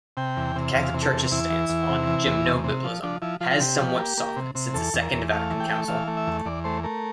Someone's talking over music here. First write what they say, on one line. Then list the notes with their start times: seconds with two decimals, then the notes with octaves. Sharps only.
The Catholic Church's stance on gymnobiblism has somewhat softened since the Second Vatican Council.
0.17 C3 G5
0.37 E2
0.56 C3
0.74 E2 F5
0.94 C3
1.02 A4
1.13 E2
1.31 E2 E4
1.50 E3
1.69 E2
1.89 C3
2.07 E3
2.26 E2
2.46 C3
2.64 C3
2.84 F3
3.03 F3 D4
3.22 F3 E4
3.41 F3 F4
3.51 F4
3.60 C3 G4
3.79 F3
3.98 A#3
4.18 A#3
4.36 C3
4.55 C3
4.74 E2 A4
4.94 E2
5.02 A#4
5.13 E2
5.32 A3 F5
5.51 E3
5.60 G5
5.70 A3
5.88 E3 F5
6.08 A3
6.17 E5
6.27 E2
6.45 E2 D5
6.64 A3 C5
6.83 A3 A#4